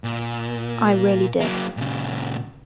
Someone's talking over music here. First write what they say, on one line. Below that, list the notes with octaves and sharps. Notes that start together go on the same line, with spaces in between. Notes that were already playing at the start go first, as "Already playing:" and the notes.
I really did.
A#2
F#3 A#3
A#2 C#3